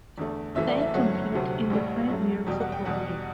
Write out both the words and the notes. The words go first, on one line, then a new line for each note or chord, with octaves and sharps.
They compete in the Pioneer Football League.
E2 D3 A3
F#1 F#2 E3 A3 E5
D5
E5
G1 F#2 F#3 A3 F#5
D2 C3 F#3 A3
A1 A2 G3
F#2 F#3 A3
E2 B2 G3 G5
F#5
G5
E2 B2 G3 F#5